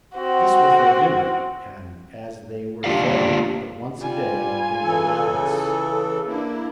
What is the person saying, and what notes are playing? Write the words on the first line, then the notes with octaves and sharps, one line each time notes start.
This was their dinner, and as they were fed but once a day they were ravenous.
C4 F#4
A#3 D4 F4 G4 D5 F5
G3 F4 G#5
C#3 E3 A4
A#3 D4 E4